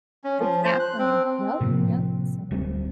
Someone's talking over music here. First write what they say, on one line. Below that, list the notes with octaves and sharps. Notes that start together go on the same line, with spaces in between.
Exactly, yep, yep so
C#4
F3
C5
F#6
C4
A2 C3 F3 A#3
D1 G3 B3 C4